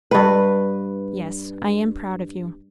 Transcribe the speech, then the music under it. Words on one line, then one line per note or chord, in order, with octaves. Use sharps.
"Yes, I am proud of you."
G2 B4